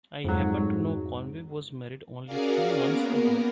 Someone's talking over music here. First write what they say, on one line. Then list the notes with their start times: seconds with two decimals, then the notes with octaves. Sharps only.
I happen to know Conway was married only three months ago.
0.24 F2 G#2 F#3
2.26 C#4 F#4 G#4 A#4 D5 F5
2.85 A#3 B3 A#4